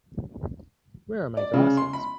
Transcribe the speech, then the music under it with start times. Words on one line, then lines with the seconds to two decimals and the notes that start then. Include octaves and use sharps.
Where are my glasses?
1.37 D5
1.54 C#3
1.77 C6
1.93 B5